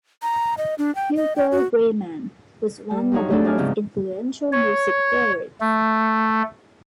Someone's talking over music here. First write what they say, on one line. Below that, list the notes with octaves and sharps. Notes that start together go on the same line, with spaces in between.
Hugo. Riemann was one of the most influential music theorists.
A#5
D#5
D4
G5
D#5
G5
F#4
G3
G2 F3 F#3 D#4 C#5
A3 C4 D4 F#4 G#4 A4
A2 F#3 D#4 D5 G#5 F6
E2 G#2 C#3 E3 F3 C4
C#5
A3